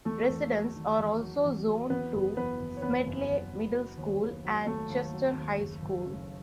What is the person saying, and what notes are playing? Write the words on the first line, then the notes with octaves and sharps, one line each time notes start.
Residents are also zoned to Smedley Middle School and Chester High School.
E2 A3 A4
E2
F#3
D#3
E2
F#3
E2
F#3
E2 B3 B4
F#1
E2 B3 B4
F#1
C#5
E2 B3 B4
F#1
F#1
F#1
F#3
D#2
D#2
F#3
D#2 A3 A4
D#2
F#3
D#2
F#1
F#1
C#3